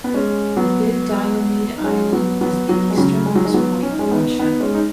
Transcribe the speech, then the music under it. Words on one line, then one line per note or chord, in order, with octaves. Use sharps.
The Big Diomede Island is the easternmost point of Russia.
B3
G#3 C#4
F#3 B3
D#4
G#3 C#4
F#3 B3
F#3 B3
F#3 B3
G#3
C#3 F#3
G#3
F#3
D#3 G#3
F#3 B3
C#4
D#4
G#3 C#4
B3 D#4
B3 D#4
G#3 C#4
D#4